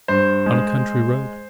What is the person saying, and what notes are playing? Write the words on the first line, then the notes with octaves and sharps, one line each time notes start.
On a country road?
G2 C5
G#3